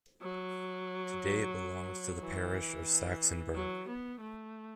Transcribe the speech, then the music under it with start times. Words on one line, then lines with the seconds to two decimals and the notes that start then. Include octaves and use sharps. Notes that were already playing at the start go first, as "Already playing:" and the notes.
Today it belongs to the parish of Sachsenberg.
0.21 F#3
2.21 E3
3.54 F#3
3.88 B3
4.20 A3